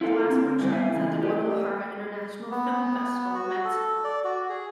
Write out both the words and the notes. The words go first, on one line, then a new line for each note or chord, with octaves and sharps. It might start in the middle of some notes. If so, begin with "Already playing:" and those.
The last workshop was at the Guadalajara International Film Festival in Mexico.
E4 F4 A4 F5
D3 C4
F2 C#3 E3 G3 C5
B3 E5 F5 G#5
C#3 E3 F3 G#3
G4 B4 D5 D#5
B3
F#4
A4
D5
F#4
G#4